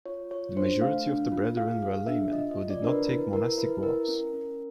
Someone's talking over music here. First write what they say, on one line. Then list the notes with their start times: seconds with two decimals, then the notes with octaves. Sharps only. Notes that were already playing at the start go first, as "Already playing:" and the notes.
The majority of the Brethren were laymen who did not take monastic vows.
0.06 F4 C#5
0.31 F4 C#5
0.56 D4 C5
0.81 A3 F5
1.06 D4
1.32 F4
1.57 G#4 F5
1.82 G#4 F5
2.07 D4 E5
2.32 F4 D#5
2.51 D#5
2.58 F4
2.70 D5
2.82 D4 A#4
2.89 B4
3.07 E4 B4
3.33 E4 A#4
3.58 E4 B4
3.83 E4 A#4
4.08 C#4
4.33 C#4